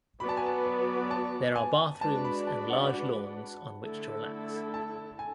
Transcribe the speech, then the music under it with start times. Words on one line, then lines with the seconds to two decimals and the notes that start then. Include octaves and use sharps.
There are bathrooms and large lawns on which to relax.
0.20 F#3 B3 F#4 B4 D5 B5
0.29 A5
0.37 G#5
0.46 A5
0.65 B5
1.11 A5
1.56 G#5
2.01 G#3 D4 F#4 B4 D5 A5
2.25 B5
2.47 A5
2.70 F#5
3.83 D3 A3 E4 A4
4.74 A5
5.19 G#5